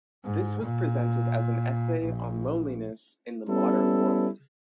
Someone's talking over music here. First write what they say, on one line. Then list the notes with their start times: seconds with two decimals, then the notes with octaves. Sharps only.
This was presented as an essay on loneliness in the modern world.
0.25 G#2
0.62 A#2
2.02 A#1
3.48 G3 B3 C#4 E4 A4